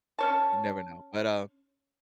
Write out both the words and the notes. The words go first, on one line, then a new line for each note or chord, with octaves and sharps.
You never know. But, um
C#4 C#5 A5